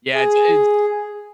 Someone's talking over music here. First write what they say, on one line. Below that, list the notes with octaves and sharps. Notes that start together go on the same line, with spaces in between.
Yeah, it's it's
G#4